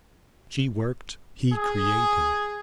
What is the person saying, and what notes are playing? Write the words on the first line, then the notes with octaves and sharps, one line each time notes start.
She worked; he created.
G#4